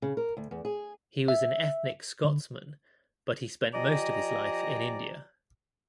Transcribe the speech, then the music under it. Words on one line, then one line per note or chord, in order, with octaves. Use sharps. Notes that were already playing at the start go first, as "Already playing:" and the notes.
He was an ethnic Scotsman but he spent most of his life in India.
C#3
A#4
D2
E2
G#4
E5
D3
F3 G4 D5 D#5 G#5 A#5